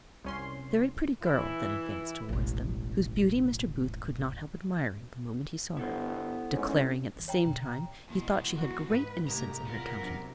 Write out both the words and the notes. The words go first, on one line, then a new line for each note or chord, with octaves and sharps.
A very pretty girl then advanced towards them, whose beauty Mr. Booth could not help admiring the moment he saw her; declaring, at the same time, he thought she had great innocence in her countenance.
C2 C#4 C6
E3 E4
E1 A1
G1 B3 E4 A4 C5
G#2 C#4
E3
C#5 G5 A#5
B2
E2 B2 G#3
A#3 F#4 F#5
G#2 B4 D#7
C2 A3 G4 G#4 A#5 B6
E2 B3 F4 A#4
C3 F#3 D4 D7